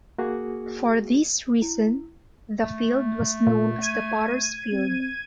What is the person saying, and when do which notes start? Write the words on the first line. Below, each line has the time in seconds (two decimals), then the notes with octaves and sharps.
For this reason the field was known as the Potter's Field.
0.18 A#3 F#4 G#4
1.62 E4
2.57 A3
3.47 A#2
3.82 G#6 D#7
4.72 C4